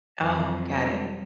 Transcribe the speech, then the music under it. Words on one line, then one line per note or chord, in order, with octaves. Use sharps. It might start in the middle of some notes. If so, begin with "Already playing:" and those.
Oh, got it,
F2 F#3
G3 G#3 G4